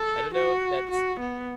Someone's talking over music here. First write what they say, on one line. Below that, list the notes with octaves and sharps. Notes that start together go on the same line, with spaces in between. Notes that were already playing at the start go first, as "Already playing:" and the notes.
I don't know if that's
Already playing: A4
F#4
F#4
B3